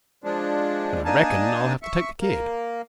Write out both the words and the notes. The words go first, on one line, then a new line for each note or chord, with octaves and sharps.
And I reckon I'll have to take the kid.
F3 G#3 D4
A#3 D4 D#4 G#5 A5
E5 C#6
A#3